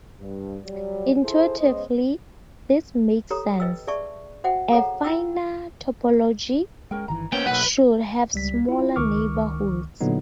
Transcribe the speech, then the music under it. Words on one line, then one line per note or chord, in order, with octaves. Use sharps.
Intuitively, this makes sense: a finer topology should have smaller neighborhoods.
G2
F#3 G3
E4 G#4 A4 C5
G#3 B3 C#4 C5 D#5
G4 A4 C#5 A#5 D#6
B4 D#5 G5 E6
G#4 D5 E5 A5 C#6
F#4 C5 E5 F#5 G5
G#4 A4 C#5 F5 F#5 A#5
E4 F4 G5 E6
G#3 C#4 A#4 G5
G1 D#3 E3 A#5
A#3 B3 C#4 G5
B1 F#2 B4 F#5
C#2 G3 B6
E4 F4
C#2 D#3 C#6 D6 F6
A#2 D3 F#3 B3 D#4